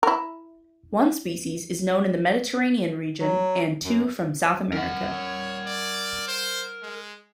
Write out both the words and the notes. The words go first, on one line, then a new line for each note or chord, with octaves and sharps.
One species is known in the Mediterranean region and two from South America.
E4 A#4
F#3
F#2
A#4 F#5
C#5
D5
C5
G#3